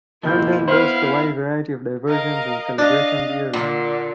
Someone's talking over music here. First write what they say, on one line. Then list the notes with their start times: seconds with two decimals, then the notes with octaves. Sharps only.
Herndon boasts a wide variety of diversions and celebrations year round.
0.23 F#1 B2 F3 A#3 E4 G6
0.68 B3 E4 B4 C5 F5 F6
2.07 A#4 D#5 F5
2.78 D4 D#5 F5
3.53 A#2 D3